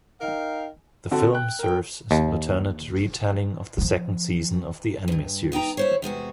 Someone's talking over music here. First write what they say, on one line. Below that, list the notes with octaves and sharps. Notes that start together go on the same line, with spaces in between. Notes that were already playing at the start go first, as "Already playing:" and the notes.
The film serves as alternate retelling of the second season of the anime series.
D#4 A#4 F5 G5
D3 C4 F#4 A4
G5 F#6
A#4 G5
D#2
F3 B3
D2 G2
E2 D#4 G5 A#5
E4 C5 C#5
E2 C3 G#3 F#4